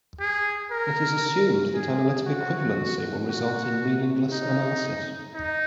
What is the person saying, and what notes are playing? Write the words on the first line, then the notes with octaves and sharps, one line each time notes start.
It is assumed that analytic equivalency will result in meaningless analysis.
G#4
A#4
G#4
F#4
F#4
D#4
D#4